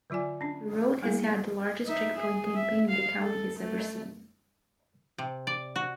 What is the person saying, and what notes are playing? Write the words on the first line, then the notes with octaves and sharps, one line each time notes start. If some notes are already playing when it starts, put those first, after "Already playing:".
The road has had the largest Checkpoint campaign the county has ever seen.
D3 F#3 F4 D5 G#5
C#4 D4
G3 A#3 B3 E4 G#4
D#4 E5
G#4
E5
F5
A4
A3
C3
D5
F#4